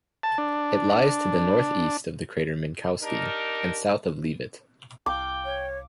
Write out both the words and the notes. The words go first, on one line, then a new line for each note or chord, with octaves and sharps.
It lies to the northeast of the crater Minkowski, and south of Leavitt.
A5
D4
D4 D#4 G4 A#4
C2 F5 G5 D6
C#5